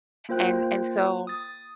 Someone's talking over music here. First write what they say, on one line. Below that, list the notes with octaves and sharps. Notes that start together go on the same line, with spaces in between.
And and so
A#3 F4 C5 G5 F#6
D#6 A6